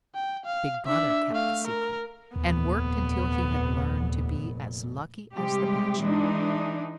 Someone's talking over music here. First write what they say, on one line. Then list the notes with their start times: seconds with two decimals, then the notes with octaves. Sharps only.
Big Brother kept the secret, and worked until he had learned to be as lucky as the Bachelor.
0.15 G5
0.46 F5
0.86 D4 E5
1.31 A3 F5
1.67 A#4
2.36 F1 D#2 A#2 B3
5.34 C3 G3 G#3 G4
5.99 E3 G#3 D4 D#4